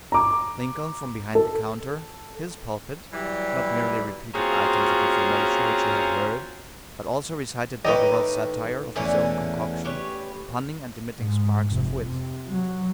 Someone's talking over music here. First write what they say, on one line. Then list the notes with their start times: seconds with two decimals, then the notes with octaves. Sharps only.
Lincoln, from behind the counter--his pulpit--not merely repeated items of information which he had heard, but also recited doggerel satire of his own concoction, punning and emitting sparks of wit.
0.12 A#5 D6
1.35 A4
3.13 E3 F#3 G3
4.34 A#3 C4 C#4 F4 F#4 G#4
7.85 A2 D#3 G4 A4 B4 D#5 G5 A#5
8.96 E2 D3 E3 A3 A#3 C#4
9.85 G4 B4 C#5
11.18 G#2
11.71 F1
12.06 C3
12.49 F#3